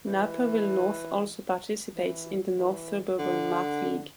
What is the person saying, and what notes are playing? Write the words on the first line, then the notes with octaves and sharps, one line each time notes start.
Naperville North also participates in the North Suburban Math League.
E3
E3
E3
D3